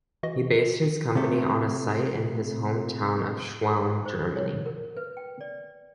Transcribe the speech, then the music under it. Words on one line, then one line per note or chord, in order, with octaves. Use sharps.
He based his company on a site in his home town of Schwelm, Germany.
E3 F#4 D#5
C3 A3
C5
C#5
A#4
B4
G5
D5